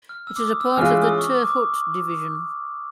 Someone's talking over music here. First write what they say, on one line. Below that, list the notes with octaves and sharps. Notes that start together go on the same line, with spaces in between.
It is a part of the Tirhut Division.
F6
E6
D6
D#6
E6
E3 G#3 C#4 F4 F6
D#6
C#6
D6
D6